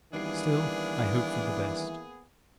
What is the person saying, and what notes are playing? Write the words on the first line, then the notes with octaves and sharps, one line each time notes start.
Still I hope for the best.
D#3 E3 G3 A#3 B3 D4 G#4 C7